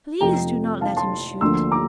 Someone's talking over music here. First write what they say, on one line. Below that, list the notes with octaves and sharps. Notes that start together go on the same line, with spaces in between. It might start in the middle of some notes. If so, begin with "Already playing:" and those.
"Please do not let him shoot!"
F2 C3 F3 A3 G5 A#5
F5 A5
A5 C6
D2 D3 F3 A#3 C6 E6
A#5 D6